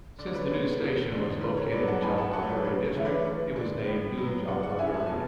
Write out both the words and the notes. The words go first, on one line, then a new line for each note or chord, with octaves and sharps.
Since the new station was located in Jalpaiguri district, it was named New Jalpaiguri.
D3 D5
C#5
B4
C#5
G#3 B3 D4
E2
D3 G#3 C#4
G#2 B4
C#5
F#3 B3 D4 B4 D5
F#5 A5
A2 G#5 B5
F#5 A5
F#3 A3 F#5 A5
C#5
B4 D5
C#3 B4
C#5
E3 A3 C#4 E4
B4 D5
D3 B4
G#3 D4
A2
F#3 B3
C#3 D5 F#5
D5 F#5
G#3 C#4 E4 E5 G#5
A5
B2 G#5